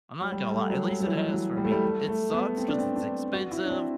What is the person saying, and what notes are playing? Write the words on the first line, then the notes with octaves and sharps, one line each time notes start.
I'm not gonna lie. At least it has for me. It sucks 'cause it's expensive,
F#3
G3
A3
F#3
F#3
F#3
E3
F#3
G3
A3
G3
A3
A3
B3
C4
D4
C4
D4
F#4
E4
D4
C4